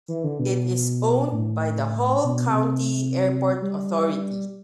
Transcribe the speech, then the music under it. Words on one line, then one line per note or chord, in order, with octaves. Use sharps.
It is owned by the Hall County Airport Authority.
E3
D3
B2
A2
B2
C3
G3